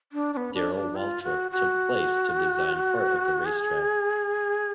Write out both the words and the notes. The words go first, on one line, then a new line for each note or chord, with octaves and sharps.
Darrell Waltrip took place to design part of the racetrack.
D4
D4
B3
D4
D4
F4
F#4
F#4
G#4